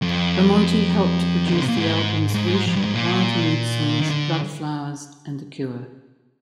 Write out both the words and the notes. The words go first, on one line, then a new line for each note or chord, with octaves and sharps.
Bamonte helped to produce the albums "Wish", "Wild Mood Swings", "Bloodflowers", and "The Cure".
F2
D#3
D3
C3
A#2
G#2
G#2
F2
G2
G#2
A#2
D#3
D3